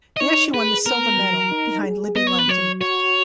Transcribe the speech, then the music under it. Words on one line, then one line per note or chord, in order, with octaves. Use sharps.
There she won the silver medal behind Libby Lenton.
D#5
D#4 C#5
G#4 B4
B3 A#4
F#3
D#4
G#4
B3 D#5
C#5
B4
F#3 C#5
F#4 C#5